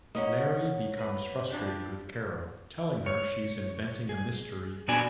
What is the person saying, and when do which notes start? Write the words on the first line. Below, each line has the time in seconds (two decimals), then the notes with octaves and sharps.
Larry becomes frustrated with Carol, telling her she's "inventing a mystery".
0.15 A#3 C#4 D#5 F#5
0.99 B4
1.50 F3 D4 G4
3.06 C#5
4.09 G#4
4.88 A#2 B3 D4 F#4 D5 G#5